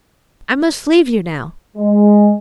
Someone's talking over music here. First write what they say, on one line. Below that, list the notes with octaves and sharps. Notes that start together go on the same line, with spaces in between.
I must leave you now.
G#3